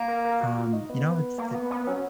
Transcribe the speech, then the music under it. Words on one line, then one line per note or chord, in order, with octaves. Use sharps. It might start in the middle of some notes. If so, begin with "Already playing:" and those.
um, you know, it's it
Already playing: A#3
A#4
A#4
F#4
F4
D#4
B3
A#3
B3
B3
F#3 C#4